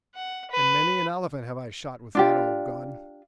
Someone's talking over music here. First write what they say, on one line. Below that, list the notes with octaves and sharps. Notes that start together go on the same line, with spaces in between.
And many an elephant have I shot with that old gun.
F#5
B4
D4 F4 G4